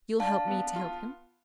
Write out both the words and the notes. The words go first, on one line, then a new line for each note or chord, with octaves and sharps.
You'll help me to help him?
D4 F5 A5
B3
F4